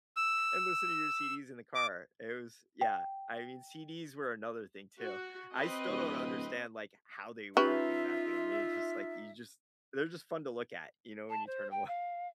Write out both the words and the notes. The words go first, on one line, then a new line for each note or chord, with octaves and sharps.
and listen to your CDs in the car, it was yeah. I mean, CDs were another thing, too. I still don't understand, like, how they work exactly. I mean, it's just, like you just they're just fun to look at, you know, when you turn them on.
E6
D6
G5
F#4
C4 B4 D#5
D1
C#4 D#4 F4 G4 B4 E5
A5
C5
G5
F5